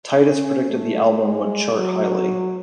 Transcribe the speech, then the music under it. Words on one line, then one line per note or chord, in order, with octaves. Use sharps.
Titus predicted the album would chart highly.
C#4
A3
G#3
F#3